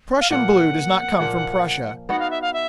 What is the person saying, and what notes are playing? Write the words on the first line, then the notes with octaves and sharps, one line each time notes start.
Prussian blue does not come from Prussia.
F5
A#2 F3 A#3 F#5
A#2 F3 A#3
B3 D#4 F#4 F#5
F5
E5
F5
E5